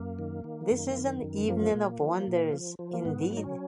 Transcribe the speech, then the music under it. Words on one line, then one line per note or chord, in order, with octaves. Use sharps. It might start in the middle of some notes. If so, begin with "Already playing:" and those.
This is an evening of wonders, indeed!
Already playing: F#2 A#3
D#3
D#3
F#2
D#3
F#2
F3 A#3
A#2
F3
A#2
F3
F3
A#3
G#2 B3
F#3
D#4
C#4